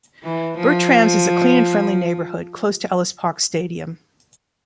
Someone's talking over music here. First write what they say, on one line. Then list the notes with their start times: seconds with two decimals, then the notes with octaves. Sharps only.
Bertrams is a clean and friendly neighbourhood, close to Ellis Park Stadium.
0.24 E3
0.58 F3